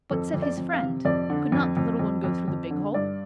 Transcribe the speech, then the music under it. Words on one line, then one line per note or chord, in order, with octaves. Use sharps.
"But," said his friend, "could not the little one go through the big hole?"
F2 A4
F2
D5
F2
F5
C3
F2 D5
D3
F2
F2
F2
F2
F2
D3
G2 D5